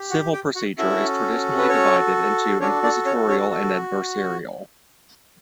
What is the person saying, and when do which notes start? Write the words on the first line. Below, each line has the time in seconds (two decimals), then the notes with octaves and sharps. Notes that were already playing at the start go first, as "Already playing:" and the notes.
Civil procedure is traditionally divided into inquisitorial and adversarial.
Already playing: G4
0.10 F#4 F#5
0.33 G4 G5
0.55 F#4 F#5
0.78 C#4 E4 F#4 A4 E5
1.58 B4
1.69 C#4 C#5
2.60 C#4 D4 F#4 A4 C#5
2.83 D4 D5
3.06 C#4 C#5
3.28 C#4 C#5
3.51 A4